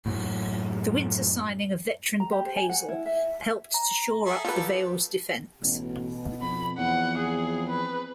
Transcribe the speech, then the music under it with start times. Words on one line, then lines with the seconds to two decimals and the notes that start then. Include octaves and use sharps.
The winter signing of veteran Bob Hazell helped to shore up the Vale's defence.
0.06 F#2 A2
2.20 A#5
2.32 G4
2.45 C5
2.57 G#5
2.69 F#5
2.89 E4
3.06 E5
3.74 A#5
4.26 G#4 A4 E5
4.45 G3 B3 F4 A4 B4
5.63 A1 B2
6.42 F2 B5
6.78 E2 F3 C4 F#5
7.18 G#4
7.69 B4